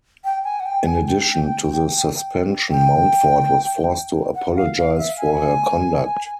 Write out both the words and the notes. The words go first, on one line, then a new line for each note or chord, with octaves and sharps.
In addition to the suspension Mountford was forced to apologise for her conduct.
G5
G#5
F#5
G5
G#5
G5
G5
F#5
F5
F5
E5
G#5